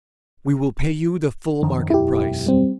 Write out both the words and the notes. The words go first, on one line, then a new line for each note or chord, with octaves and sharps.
"We will pay you the full market price."
F#2 D#3 F3
E1 B1 F#2 E4 G4
G3 C4